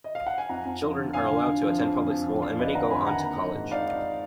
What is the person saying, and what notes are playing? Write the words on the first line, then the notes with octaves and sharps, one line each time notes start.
Children are allowed to attend public school and many go on to college.
D#5
F5
F#5
G#5
F2 F#5 A#5
F2
F3
D3
F2 F5 G#5
D3
D3
F3
F2
F3
F3
F2
F3 D5 F5
F2 B4 D#5
D3 F#5 A#5
F2 G#5 B5
D#3 F#5 A#5
A#3
D#4
G#2
D#4 D5 F5
D#4